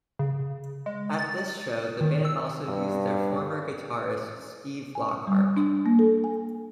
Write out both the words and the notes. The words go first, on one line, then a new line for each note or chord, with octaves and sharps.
At this show the band also used their former guitarist Steve Lockhart.
C#3
G#3
A6
D#3
E6
G2
G#5
G3
D4
A#3
A4
G#5